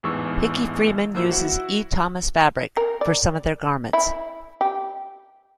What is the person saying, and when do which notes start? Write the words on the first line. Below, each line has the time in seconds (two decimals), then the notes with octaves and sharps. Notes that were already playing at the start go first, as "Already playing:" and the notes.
Hickey Freeman uses E. Thomas fabric for some of their garments.
0.03 A1 E2 G#2 E3 C#6 E6
1.14 A1 F#3 A#3 E4 C5 E6
1.30 E4 F#4 F#5
2.77 A#4
3.01 D5
3.93 E4
4.61 G4